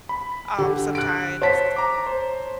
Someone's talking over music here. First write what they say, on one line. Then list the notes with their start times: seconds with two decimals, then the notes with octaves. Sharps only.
um, sometimes
0.09 B5
0.58 D3 G4
0.95 F#6 D7
1.42 C5 C#5 A5 B6
1.76 A#5 D6
2.06 C5